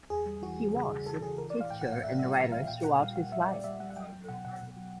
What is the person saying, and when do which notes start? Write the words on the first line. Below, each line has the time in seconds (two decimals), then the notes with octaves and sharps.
He was a teacher and writer throughout his life.
0.10 E2 G#4
0.26 G3
0.42 E3 F#4
0.58 G3
0.74 C#3
0.90 C#3
1.06 E3 A4
1.22 C#3 G#4
1.38 E3 A#4
1.50 D5
1.55 E3
1.61 F5
1.70 A2 G5
1.81 F#5
1.87 A2
1.92 F5
2.03 A2 E5
2.19 G3 E5
2.35 E3 F5
2.51 A2 F5
2.67 A#2 G5
2.83 A#2 F#5
2.99 G3 F5
3.16 G3 F5
3.32 G3 E5
3.48 G3 D5
3.64 G3 E5
3.80 G3 F#5
3.90 F#5
3.96 F#3 G5
4.12 F#3
4.28 B2 F#5
4.45 B2 F#5
4.61 B2
4.77 F#3